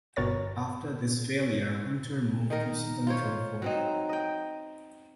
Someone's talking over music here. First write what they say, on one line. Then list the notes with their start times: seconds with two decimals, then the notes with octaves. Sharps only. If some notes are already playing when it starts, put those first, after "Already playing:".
After this failure, Hunter moved to southern California.
0.16 G1 B2 A#4 C#5 A6
2.50 D#3 D#4 A#4
3.07 F4 C5 C#5
3.62 F#3 C4 D#4
4.09 D#5 G5